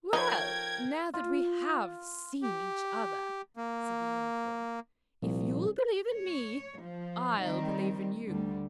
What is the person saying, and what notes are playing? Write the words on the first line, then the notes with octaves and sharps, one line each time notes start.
'Well, now that we HAVE seen each other,' said the Unicorn, 'if you'll believe in me, I'll believe in you.
F3 D#4 A4 A#4 C#5 G5 G#6
F4
G4
A#3
C2 A#2 F3
C#5
F3
D#3 G3 C4
D2 D3 G3